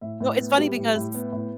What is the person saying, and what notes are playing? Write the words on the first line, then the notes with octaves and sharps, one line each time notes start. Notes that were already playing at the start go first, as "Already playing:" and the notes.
No, it's funny because
A2 E5
A2
B3
G3
A2
A2
B3
A2